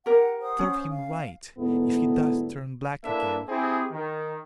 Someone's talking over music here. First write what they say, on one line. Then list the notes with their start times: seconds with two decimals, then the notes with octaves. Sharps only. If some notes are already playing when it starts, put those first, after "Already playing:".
Serve him right, if he does turn black again!
0.06 G4 A#4 F#5
0.41 C5 F#5 D#6
0.59 C#4
0.90 F5
1.58 D2 G#2 B3 E4 A4
3.04 A#3 D4 E4 A4 B4 E5
3.49 C4 E4 G4 G#4
3.91 D#3